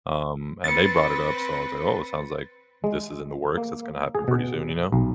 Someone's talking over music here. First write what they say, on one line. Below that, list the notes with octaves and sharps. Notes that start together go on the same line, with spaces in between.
um, and they brought it up. So, I was like, oh, it sounds like this is in the works. It's gonna happen pretty soon, you know?
C4 B4 A6 C#7
G#3
A#3
G#4
B2
B1